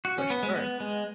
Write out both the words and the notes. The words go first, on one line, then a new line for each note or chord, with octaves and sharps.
For sure.
F#4
C#4
B3
G#3
B3
G#3